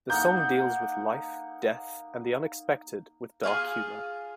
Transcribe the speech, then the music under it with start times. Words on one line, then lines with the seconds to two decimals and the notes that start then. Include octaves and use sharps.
The song deals with life, death and the unexpected with dark humor.
0.10 A#3 D#4 F#5 G6
3.43 F4 G4 G#4 F5